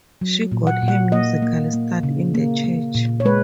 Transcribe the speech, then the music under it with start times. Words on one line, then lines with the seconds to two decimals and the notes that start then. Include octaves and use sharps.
She got her musical start in the church.
0.21 F#3
0.52 A#2
0.67 F#5
0.82 A#2
0.88 F#5
1.12 A#3 D#5
1.42 A#3
1.73 A#3
2.03 C#3
2.34 A#3
2.64 A#3
2.95 A#2
3.20 C#5
3.25 G#3 B4